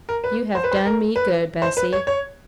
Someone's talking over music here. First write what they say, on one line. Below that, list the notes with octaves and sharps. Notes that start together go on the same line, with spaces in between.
You have done me good, Bessy.'
A#4
B4
C5
B4
C5
A#4
B4
C5
B4
C#5
C#5